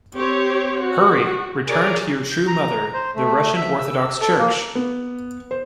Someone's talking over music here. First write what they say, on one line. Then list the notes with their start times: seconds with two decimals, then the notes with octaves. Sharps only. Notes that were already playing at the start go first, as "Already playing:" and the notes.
Hurry, return to your true mother, the Russian Orthodox Church!
0.16 C4 G4 C5 C#5
0.82 F#4
1.68 G#4 A#4 C#5 D5
2.31 G6
2.48 A#5
2.94 C5
3.15 A3
3.56 E5
3.79 E6
4.21 A4
4.38 A#3
4.75 B3
5.51 C5